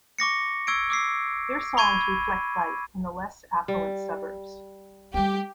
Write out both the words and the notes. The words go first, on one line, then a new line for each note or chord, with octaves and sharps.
Their songs reflect life in the less affluent suburbs.
C#6 D6 A#6 C#7
C#6 E6 G#6 C7 D7
D6 E6 C7
B5 C#6 G#6 D#7
G3
G3 A3 G4